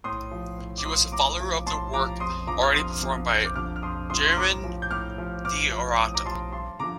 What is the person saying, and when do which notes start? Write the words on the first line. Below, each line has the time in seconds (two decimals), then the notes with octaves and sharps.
He was the follower of the work already performed by Jeronim De Rada.
0.04 A2 C6 D#6
0.31 F3
0.58 A2
0.78 D6
0.85 F3 C6 D#6
1.12 A2 A#5 D6
1.40 F3
1.66 A2 A5 C6
1.93 F3 A#5 D6
2.20 F2 C6 D#6
2.47 D3 F3 A#5 D6
2.63 F6
2.74 F2 C6 D#6
3.02 D3 F3
3.28 F2 F6
3.36 G6
3.45 D6 F6
3.55 D3 F3 D6 F6
3.76 F6
3.82 F2 C6 D#6
4.10 D3 F3 C6 D#6
4.25 C6
4.37 A2 A#5 D6
4.64 F3
4.82 G6
4.90 A2 D6 F6
5.18 F3
5.44 A2 D6 F6
5.71 F3
5.99 A2 D6
6.06 D#6
6.14 A#5 D6
6.25 F3 A5 C6
6.52 G2 A5 C6
6.79 D3 F3 A#5 D6